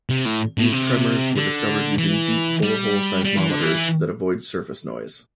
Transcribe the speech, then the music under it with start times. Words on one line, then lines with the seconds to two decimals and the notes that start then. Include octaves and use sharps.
These tremors were discovered using deep borehole seismometers that avoid surface noise.
0.10 C3
0.25 A2
0.58 A2
0.72 C3
1.36 D3
1.98 E3
2.62 G3
3.25 G3
3.37 E3
3.50 D3
3.62 E3